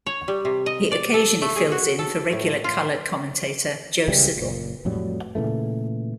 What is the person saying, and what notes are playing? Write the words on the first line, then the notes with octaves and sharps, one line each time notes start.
He occasionally fills in for regular colour commentator Joe Siddall.
C#5
G3
C3
D#5
D5
A4
A3
G#4
F#4
A4
A2
F4
C#2 C#3 E3 G3
F#1 A#2
F2 A2 F#3 G3
A#2 C#3 E3 A3